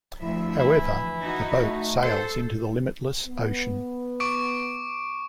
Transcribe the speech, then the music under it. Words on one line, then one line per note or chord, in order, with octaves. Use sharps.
However, the boats sails into the limitless ocean.
D2 F3 E4 E5
E3 E4
D#4 F#4
A3
A4 C5
B3
C#6 D6 D7